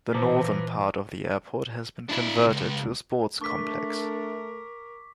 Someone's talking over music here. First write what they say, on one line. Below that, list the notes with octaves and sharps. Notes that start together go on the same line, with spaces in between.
The northern part of the airport has been converted to a sports complex.
A#2 E3 B4 C5 A5 A#5 D6
D4 E4
C#2
A3 D4 A#4 C#6 D6 B6